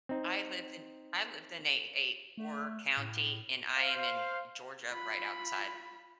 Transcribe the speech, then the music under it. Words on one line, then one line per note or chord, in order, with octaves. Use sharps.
I lived in I lived in a a poor county, and I am in Georgia right outside
C4 D#4
A3
A2
C5 F5
F4 B5